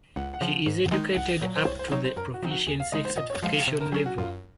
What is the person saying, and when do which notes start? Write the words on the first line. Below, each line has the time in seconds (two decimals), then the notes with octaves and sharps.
She is educated up to the proficiency certification level.
0.16 C#2 F#5
0.34 F#5
0.41 C#3 F3
0.66 G#2
0.91 D#3 G#3 D#4
1.16 C2 F#5
1.41 A#2 F#3
1.56 C5
1.66 C2 C#5
1.79 C5
1.92 C3 F#3 C4 D#4 C#5
2.04 C5
2.16 F#2 A#4
2.34 F#4
2.43 C#3 F3 C4 D#4
2.51 F#4
2.67 D#2 G#4
2.80 F5
2.92 C#3 G#3 D#4 D#5
3.05 C5
3.17 A#2 D#5
3.30 C#5
3.43 F3 G#3 F5
3.55 F5
3.68 C3
3.80 A#4
3.92 F#3 C#4 G#4
4.06 F#4
4.18 F#2 F4